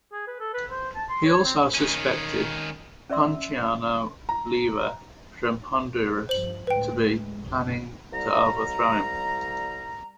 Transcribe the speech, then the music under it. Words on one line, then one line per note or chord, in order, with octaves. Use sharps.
He also suspected Ponciano Leiva from Honduras to be planning to overthrow him.
G#4
B4
A4
B4
C5
A5
C6
C#5
C4
D#3 C#4
C#4 B4 D5 E5 C6 E6
A#5
G2 F3 C5 F#7
D2 A2 G#3 B4 G5
B1 F#2 C#3
C2 G3 A#5